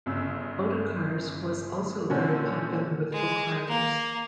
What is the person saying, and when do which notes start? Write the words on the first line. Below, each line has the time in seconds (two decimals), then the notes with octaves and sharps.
Ottakar's was also very popular with book buyers.
0.06 G1 C#3 E6
2.10 A#2 D3 C4 C#4 F#4
3.12 G#3
3.68 A#3